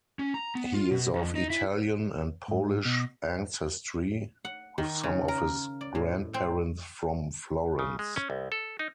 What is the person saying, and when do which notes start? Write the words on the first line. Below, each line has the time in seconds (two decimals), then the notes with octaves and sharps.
He is of Italian and Polish ancestry with some of his grandparents from Florence.
0.19 C#4
0.34 A#5
0.55 B3
0.74 F4
0.91 B2
1.15 F2
1.35 D#4
1.50 E4
2.48 G#2
2.85 B2
4.45 F#5
4.78 D#3
5.03 C#3
5.28 A#4
5.81 D5
5.95 A2
6.34 C4
7.79 C#3
7.99 G#3
8.16 C#4
8.30 C2
8.52 A4
8.79 D#4